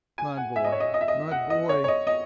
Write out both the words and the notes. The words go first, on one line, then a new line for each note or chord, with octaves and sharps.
My boy! my boy!
G#5
F#5
E5
D#5
C#5
D#5
D#5
E5
D#5
F#5
D#5
C#5
C#5
D#5
D#5